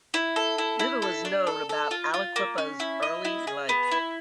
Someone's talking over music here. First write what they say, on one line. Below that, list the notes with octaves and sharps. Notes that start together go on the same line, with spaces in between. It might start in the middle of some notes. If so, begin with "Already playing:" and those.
Little is known about Aliquippa's early life.
E4
A4
E4
E4
A4
D4
A4
A4
F4
F4
A#3
C#4
E4
D#5
E4
G#4
B3
E4